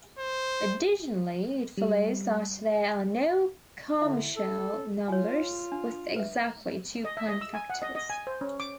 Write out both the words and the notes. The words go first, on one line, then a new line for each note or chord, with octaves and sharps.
Additionally, it follows that there are no Carmichael numbers with exactly two prime factors.
C5
G3
D3 E4 E5
A4
F4 C#5 G#5
D4
B4 E5
D#5
E5
D#5
E6
G#5
F#5
D#5
D#5
G#5
C5
C#4
D6